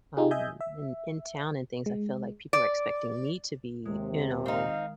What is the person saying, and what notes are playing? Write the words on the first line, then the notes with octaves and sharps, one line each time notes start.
um, in in town and things I feel like people are expecting me to be, you know,
D#4 F4 G4 G#4
D#5 E5 G#5 G6
E5
G#3
D5
D#2 C3 G#3
D#3 C4 D#4 F5